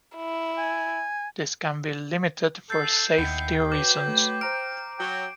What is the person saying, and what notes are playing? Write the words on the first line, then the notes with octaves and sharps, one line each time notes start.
This can be limited for safety reasons.
E4
G#5
A4 G6 C7
D#2 B3 D#4 E4 G5
F#3 B4 D6
A3
C5 A#5 F6 D7
F#3 G5